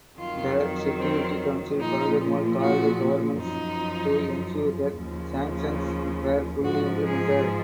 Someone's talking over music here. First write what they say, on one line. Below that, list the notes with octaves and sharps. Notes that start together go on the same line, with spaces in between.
The Security Council furthermore called Governments to ensure that sanctions were fully implemented.
F2 D#3 F#3 F4
C4
A#2 F3 D#4
F#4
F#2 F3 D#4
D#2 C#3 F3
G#2 F3 F#4
G#4